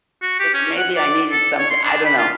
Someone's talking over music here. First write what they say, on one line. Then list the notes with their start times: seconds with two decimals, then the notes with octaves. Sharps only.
just, maybe I needed something I don't know.
0.22 F#4
0.39 G4
0.54 C#4
0.77 F#5
0.97 D5
1.31 A4
1.58 C#5
1.70 C6
1.84 D4
2.05 B5
2.18 F4